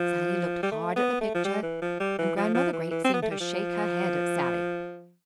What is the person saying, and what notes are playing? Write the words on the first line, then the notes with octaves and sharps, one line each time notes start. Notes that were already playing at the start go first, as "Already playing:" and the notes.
Sallie looked hard at the picture, and Grandmother Great seemed to shake her head at Sallie.
Already playing: F3
G3
A3
B3
A3
F3
G3
E3
F3
G3
E3
F3
F3
E3
E3
C4
B3
A3
G3
F3